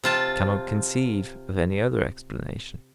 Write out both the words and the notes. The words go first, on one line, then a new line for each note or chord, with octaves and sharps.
I cannot conceive of any other explanation.
C3 F4 A5